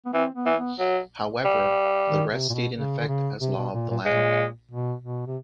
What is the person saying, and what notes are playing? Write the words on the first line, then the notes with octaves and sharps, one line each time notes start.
However, the rest stayed in effect as law of the land.
B3
E3 C4
B3
E3
B3
F#3
G3
D#3
C3
A#2
B2
C#3
D3
C#3
C3
B2
A#2
A#2
A#2 G#3
B2
B2
C3